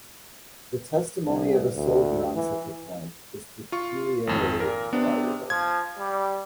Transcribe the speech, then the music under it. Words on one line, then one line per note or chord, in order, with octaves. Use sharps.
The testimony of a soldier on such a point is peculiarly valuable.
C2
D2
E3
F4 C#6
G#1 F2
A#2 A#4
C3 B3 D4
F3 G#6
G3